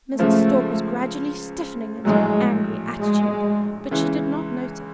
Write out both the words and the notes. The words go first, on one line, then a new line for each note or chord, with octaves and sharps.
Mr. Stork was gradually stiffening into an angry attitude, but she did not notice.
C#2 C#3 F3 A3
A#1 A2 F#3 G#3
G#3
C#2 C#3 E3